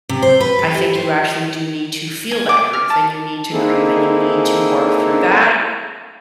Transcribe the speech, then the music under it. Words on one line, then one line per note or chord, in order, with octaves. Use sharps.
I think you actually do need to feel that grief, and you need to grieve, and you need to work through that.
C3
C5
B4
A4
G4
C5
G#5
D6
F6
A5
A#3 C4 D#4 E4 G#4 A4